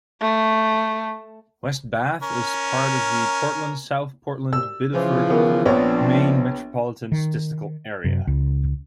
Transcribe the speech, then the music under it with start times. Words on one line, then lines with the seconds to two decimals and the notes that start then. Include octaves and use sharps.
West Bath is part of the Portland-South Portland-Biddeford, Maine metropolitan statistical area.
0.21 A3
2.23 C#4 A#4
4.53 E6
4.94 C#3 E3 F3
5.30 D#3 B3
5.66 A#1 F3 B3 C4 D4 C#5
7.12 D#3
8.04 F#2 C3
8.27 C#2